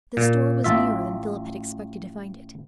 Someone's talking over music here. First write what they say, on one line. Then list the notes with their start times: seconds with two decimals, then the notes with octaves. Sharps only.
The store was nearer than Philip had expected to find it.
0.17 A#2
0.64 A1 F4 E5